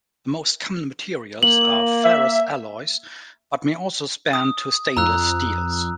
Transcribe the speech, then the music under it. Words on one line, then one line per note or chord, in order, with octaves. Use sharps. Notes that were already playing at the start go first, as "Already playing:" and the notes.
The most common materials are ferrous alloys but may also span to stainless steels.
A#3 F#7
E5
D#6
F2 A#5 E6 F#6